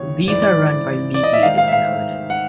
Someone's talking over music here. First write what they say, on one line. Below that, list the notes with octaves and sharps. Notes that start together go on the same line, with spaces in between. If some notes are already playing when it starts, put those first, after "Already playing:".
These are run by League leaders and owners.
Already playing: D#2 C#3 E3 C#5
G#2 E3 D5
D5
D5
D#5
E5
G#2 D#3 F5
F5
E5
F5
F#5